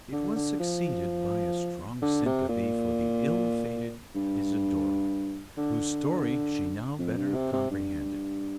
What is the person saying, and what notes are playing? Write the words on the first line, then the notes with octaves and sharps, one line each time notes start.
It was succeeded by a strong sympathy for the ill-fated Isidora; whose story she now better comprehended.
D3
D3
F3
D3
C3
A#2
G2
D3
F2
G2
C3
C3
G2